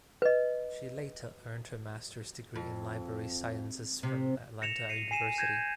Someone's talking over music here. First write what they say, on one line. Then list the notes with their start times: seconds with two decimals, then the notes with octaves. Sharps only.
She later earned her master's degree in library sciences from Atlanta University.
0.22 B4 D#5
2.56 F2
4.03 C3
4.62 A#6 C#7 E7 F7
4.89 C7 C#7 D#7 E7
5.11 G#5 C7 D#7 E7
5.38 G6 G#6 A#6 E7